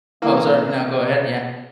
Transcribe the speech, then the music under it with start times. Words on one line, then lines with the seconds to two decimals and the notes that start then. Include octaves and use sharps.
Oh, sorry. No, go ahead, yeah.
0.22 E3 A#3